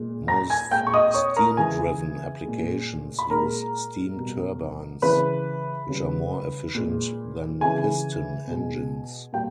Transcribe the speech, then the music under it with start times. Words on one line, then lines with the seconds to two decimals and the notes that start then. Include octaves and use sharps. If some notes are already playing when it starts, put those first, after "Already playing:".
Most steam-driven applications use steam turbines, which are more efficient than piston engines.
Already playing: A#2 G#3
0.28 A#5 A#6
0.50 G#5 G#6
0.71 A#2 G#3 G5 G6
0.87 C#6
0.94 D#5 D#6
1.14 C#5 C#6
1.36 A#4 A#5
1.57 C#3 E3 G#3 G#5
2.44 A#2 G#3
3.19 B5
3.30 A#2 G#3 A#4 A#5
4.16 B2 G3
5.02 C#3 E3 G#3 B4 B5
5.89 C#3 G3
6.75 A#2 G#3
7.60 C#3 E3 G#3 G#5
8.47 B2 G#3
9.33 A#2 G3 G5